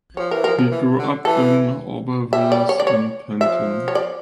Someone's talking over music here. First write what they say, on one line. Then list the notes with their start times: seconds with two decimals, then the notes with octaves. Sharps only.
He grew up in Aubervilliers and Pantin.
0.17 F3 C#5
0.31 E3 A#4
0.44 F3 A#4
0.59 A#4
0.71 E3
0.99 D3
1.25 E3 A4
2.33 G3 E5
2.52 D5
2.69 C#5
2.80 D5
2.87 C#5
3.40 F3 E5
3.88 C#5
3.95 D5